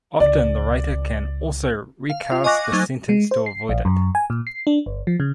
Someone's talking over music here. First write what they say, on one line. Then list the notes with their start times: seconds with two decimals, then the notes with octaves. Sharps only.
Often the writer can also recast the sentence to avoid it.
0.20 C#2 D5
2.10 F5
2.32 F4
2.44 D#5 G#5 C#6 D6 F#6 A#6
2.72 F#3 A3 D#4 C5 G#6 A6
3.09 G#3
3.31 C5
3.46 C7
3.69 A#1
3.85 F#2
4.15 G#5
4.30 A#2
4.47 C7
4.67 D4
4.86 G1
5.07 F3
5.20 C#3